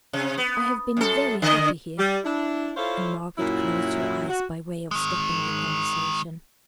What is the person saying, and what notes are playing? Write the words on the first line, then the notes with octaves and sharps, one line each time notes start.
I have been very happy here,' and Margaret closed her eyes by way of stopping the conversation.
C3
B3
F#2 A4
D3 D#5
G3
D4 E4
E4 F4 A4 C5 C#5 F5
F#2 A#2 F#3 E4
F#4
D#3 G#3